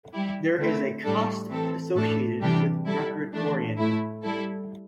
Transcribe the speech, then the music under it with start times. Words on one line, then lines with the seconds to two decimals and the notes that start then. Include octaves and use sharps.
There is a cost associated with record oriented.
0.13 G3 E4 G4
0.59 D3 A3 C4 E4
1.03 A2 G3 D4 A4
1.49 E3 C4 A4
1.95 A2 A3 D4 A4
2.40 C3 E3 G3 D4 G4
2.86 G3 E4 A4
3.32 E3 A3 D4
3.77 A2 A3 E4
4.22 G3 E4 A4